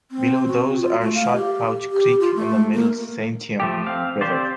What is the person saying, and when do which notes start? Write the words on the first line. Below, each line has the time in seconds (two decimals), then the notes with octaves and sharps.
Below those are Shot Pouch Creek and the Middle Santiam River.
0.11 C4
0.47 F#4
0.78 F4
1.01 A3
1.15 F5
1.36 G4
1.91 G4
2.20 F4
2.36 A3
2.73 A#3
3.60 F3 A3 G4
3.87 C4 F5
4.21 C4 G4 C5 D5